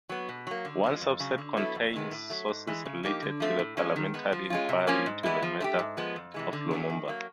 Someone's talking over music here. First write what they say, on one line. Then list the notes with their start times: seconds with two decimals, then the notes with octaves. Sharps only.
One subset contains sources related to the parliamentary inquiry into the murder of Lumumba.
0.09 F#3 B3
0.29 B2
0.47 F#3 A#3
0.65 D3
0.84 F3 G#3
1.01 F2
1.20 C#3 F#3
1.38 D3
1.57 F#3 B3 E4 A4
1.75 F2
1.93 C3 D#3 G#3 B3
2.11 A2
2.30 F#3 A3
2.48 G#2
2.67 E3 G#3
2.85 C#3
3.03 F3 A#3 D#4 G4
3.22 D3
3.40 F3 A3 C4
3.59 A2
3.77 F3 G#3 C#4
3.96 D#3
4.14 G#3 B3
4.32 F3
4.50 G#3 C#4 F4
4.69 C3
4.87 F3 A#3 C#4
5.06 G#2
5.23 E3 G#3 B3 E4
5.42 F3
5.60 A3 D4 G4
5.79 G#2
5.97 F3 G#3 B3
6.16 F2
6.34 C3 E3 G#3
6.53 D3
6.71 F#3 A3 D4
6.90 D#3
7.08 F#3 A#3